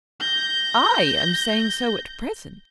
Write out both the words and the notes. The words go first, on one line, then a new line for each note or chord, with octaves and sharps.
"I am saying so at present."
G6 A#6